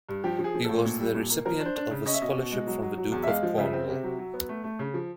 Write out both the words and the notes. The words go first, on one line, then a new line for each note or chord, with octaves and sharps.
He was the recipient of a scholarship from the Duke of Cornwall.
G2
F3 G4
F3
G#4
F3
A2 A4
A#2
G3
A#2
A#3
F3 A#4
D4
C5
D4
C#3
C#4 D#5
E5
B2 D#5
B2
G#3
F#3
F#3
F#3
E2
E5
G#3 F5
F3
C#3 E5
C4
C3
F#3
F#3
B3
A3
A3
C#3
F3